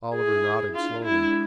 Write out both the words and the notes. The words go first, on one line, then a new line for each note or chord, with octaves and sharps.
Oliver nodded slowly.
E4 G#4
D4 F4
G#3 E4